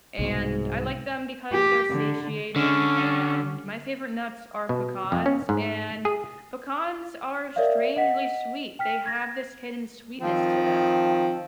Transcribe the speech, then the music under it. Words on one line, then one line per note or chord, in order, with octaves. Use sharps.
and I like them because they're satiating, and my favorite nuts are pecans, and pecans are strangely sweet, they have this hidden sweetness to them.
C2 G#2 B2
G4
D3
D3 C#4 C#6
B2
F2
C#4
G#2
G#4
A#4 C#5 D5 E5 F5
D#5 F#5 B6
G5 F6 B6
G#6 A#6
D#3 F3 C4